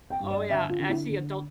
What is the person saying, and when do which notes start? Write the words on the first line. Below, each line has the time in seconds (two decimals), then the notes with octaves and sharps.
o oh, yeah. I see adult
0.10 G5
0.20 G2
0.30 D5
0.50 D3 E5
0.70 F4
0.79 D3
0.90 E4
1.09 D3